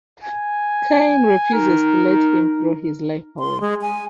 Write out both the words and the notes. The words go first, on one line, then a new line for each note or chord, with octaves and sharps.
Kaine refuses to let him throw his life away.
G#5
D#4 A#4
C6
G#3
G#5